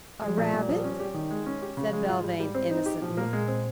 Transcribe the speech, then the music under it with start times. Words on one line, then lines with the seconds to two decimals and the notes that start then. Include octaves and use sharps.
"A rabbit?" said Belvane innocently.
0.21 F3 G#3
0.37 A#2
0.53 A#2 G3
0.69 F3
0.84 C#4
1.00 G4
1.14 D#3
1.31 G#3
1.46 C#4
1.62 G4
1.77 C#3 F3
1.93 G#3
2.08 G#2 F4
2.24 G3
2.40 G3
2.55 C4
2.71 D#4
2.86 G4
3.01 A#2 F3
3.17 A#3
3.33 G#3
3.48 C4